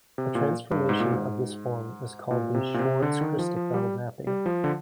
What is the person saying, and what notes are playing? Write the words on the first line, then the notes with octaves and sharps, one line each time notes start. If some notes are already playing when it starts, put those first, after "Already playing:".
A transformation of this form is called a "Schwarz-Christoffel mapping".
C3
A#2
G2
G#2
A#2
G#2
A#2
C3
A#2
C3
D3
D#3
F3
F3
G3
G3
F3
D3